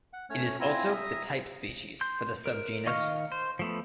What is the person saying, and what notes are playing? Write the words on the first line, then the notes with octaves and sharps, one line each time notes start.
It is also the type species for the subgenus.
F#5
A3 C#4 C#5 F6
C4 E4 F4 G#5 A#5
E5 A#5 D#6
C6 G6
A#4
D#3 D#5 F5 C#6 F6
C5
F3 A3 B3